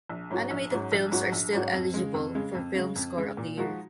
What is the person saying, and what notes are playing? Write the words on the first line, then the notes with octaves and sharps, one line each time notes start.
Animated films are still eligible for Film Score of the Year.
A#1
G#2 F#3 C#4 F#4
A#1
G#2 F#3 C#4 F#4
A#1
G#2 F#3 C#4 F#4
A#1
G#2 F#3 C#4 F#4
F2
C#3 G#3
F2
C#3 G#3
F2
C#3 G#3
F2
C#3 G#3
A#2
F3 G#3 D#4 F#4